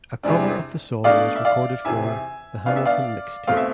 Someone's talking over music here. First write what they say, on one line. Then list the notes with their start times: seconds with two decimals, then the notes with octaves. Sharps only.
A cover of the song was recorded for "The Hamilton Mixtape".
0.23 E2 C3 G#3 D4
1.04 B2 A3 D4 D5 F5
1.36 E5
1.45 D5 F5
1.85 E2 C3 E3 E5 G#5
2.66 B2 B3 D4 F5
2.76 E5
2.85 D5 F5
3.47 B2 A3 C4 F5
3.57 E5